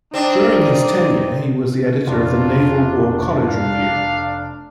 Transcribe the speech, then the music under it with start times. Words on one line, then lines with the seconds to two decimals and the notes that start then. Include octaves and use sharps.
During his tenure he was the editor of the "Naval War College Review".
0.14 C4 D4 D#4 D5
2.07 F1 D4 F4
3.47 F5